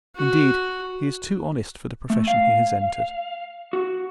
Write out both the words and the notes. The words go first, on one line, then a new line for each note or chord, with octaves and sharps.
Indeed, he is too honest for the profession he has entered.
F#4
A3
F5
F#4